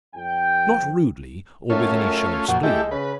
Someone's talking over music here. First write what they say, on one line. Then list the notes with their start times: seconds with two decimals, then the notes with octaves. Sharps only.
Not rudely, or with any show of spleen.
0.15 F2 G5
1.70 F#2 A3 C#4 F4
2.48 F2 A#2 F#4
2.63 G#3 A3 E4 G4
2.91 C#3 B4